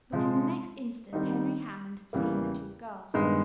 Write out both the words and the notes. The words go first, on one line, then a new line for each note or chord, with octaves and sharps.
But in the next instant Henry Hammond had seen the two girls.
C3 F3 G#3
D#3 G3 C4 D#4
E2 C#3 E3 G3 A#3
G2 D#3 G#3 B3